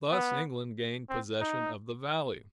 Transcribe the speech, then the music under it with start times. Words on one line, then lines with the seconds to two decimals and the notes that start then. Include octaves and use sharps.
Thus England gained possession of the valley.
0.12 B3
1.10 C4
1.41 D#4